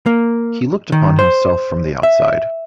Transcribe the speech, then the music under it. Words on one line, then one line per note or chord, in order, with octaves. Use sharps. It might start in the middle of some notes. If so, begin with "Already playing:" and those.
He looked upon himself from the outside.
A#3
D#3
C5
E5